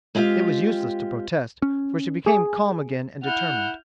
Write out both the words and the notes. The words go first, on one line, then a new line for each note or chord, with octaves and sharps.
It was useless to protest, for she became calm again and determined.
G#3 C4 F4 G4 F5
C#4
G#4
E4 F#5 F6 G6